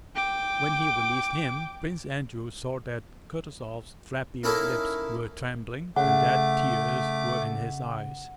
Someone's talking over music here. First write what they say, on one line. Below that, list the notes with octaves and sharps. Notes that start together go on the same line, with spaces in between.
When he released him Prince Andrew saw that Kutuzov's flabby lips were trembling and that tears were in his eyes.
G5 D6
A#3 C#4 D#4 E4 A4 A#4
C#3 A3 F#5 D6